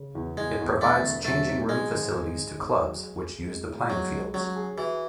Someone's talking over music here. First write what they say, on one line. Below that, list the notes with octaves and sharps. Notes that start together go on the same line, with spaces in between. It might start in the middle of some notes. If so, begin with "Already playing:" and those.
It provides changing room facilities to clubs which use the playing fields.
Already playing: C#3
E2
E2 G#3
E2
E1 A3
E1
F#3 A3
G#2
F#3 G#3
G#1
G#1
G#1
G#2
F#3
G#4
G#4
G#3
A2
F#3 G#3
G#3
F#3 C#4
G#4
E3 F#4